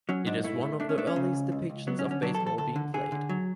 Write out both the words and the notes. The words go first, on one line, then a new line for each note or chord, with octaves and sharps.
It is one of the earliest depictions of baseball being played.
F#3 C#4
G#2 D4
A3 E4
A3
A3 D4
C#4
A3 D4
C#4
C#3
C#2
C#2
C#2
F#3 B3
C#4
D3
C#4
F#3 D4
A4
E2
A4
D2 A4
D3
D3 G#4
D3
F#3